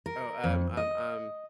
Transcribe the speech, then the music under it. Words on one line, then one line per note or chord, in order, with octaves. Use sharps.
Oh, um um um
A#4
F2
D#5